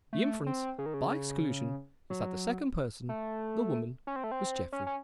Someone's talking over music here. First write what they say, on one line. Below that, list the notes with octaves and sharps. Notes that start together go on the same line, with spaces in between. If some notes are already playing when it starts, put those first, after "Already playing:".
The inference, by exclusion, is that the second person--the woman--was Jeffrey.
A3
C4
C#3
D#3
C#3
F#3
A3
C#4
C4
A3
C4
C#4
C#4